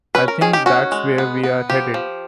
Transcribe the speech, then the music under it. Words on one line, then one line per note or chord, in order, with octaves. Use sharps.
I think that's where we're headed.
C#4 B4
A#4
D#3 G#4
G4
C#4 F#4
G#3
B3
B3
F3 G4
F3